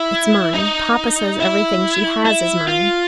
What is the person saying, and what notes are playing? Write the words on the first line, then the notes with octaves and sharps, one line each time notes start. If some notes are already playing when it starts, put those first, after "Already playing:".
It's mine: papa says everything she has is mine.
Already playing: E4
D#4
E4
E4
F4